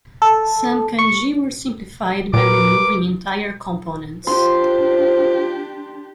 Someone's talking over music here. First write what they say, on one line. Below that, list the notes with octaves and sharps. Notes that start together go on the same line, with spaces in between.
Some kanji were simplified by removing entire components.
A4
C#6
A#2 A#4 B4 D6
D4 F4 G4 C5 C6